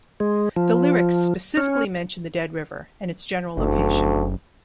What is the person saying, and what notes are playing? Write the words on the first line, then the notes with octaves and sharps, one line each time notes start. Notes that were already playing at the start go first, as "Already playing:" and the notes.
The lyrics specifically mention the Dead River, and its general location.
G#3
F3
C#4
F#1 D2